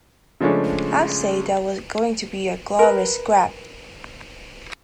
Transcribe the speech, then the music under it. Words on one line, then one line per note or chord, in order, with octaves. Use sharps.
I'd say there was going to be a glorious scrap.
C#3 F3 G#3 A3 C#4 D4
A#4 B4